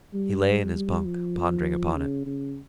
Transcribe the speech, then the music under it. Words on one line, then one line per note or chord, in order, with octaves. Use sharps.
He lay in his bunk pondering upon it.
G3
G3
F3
C#3
C#3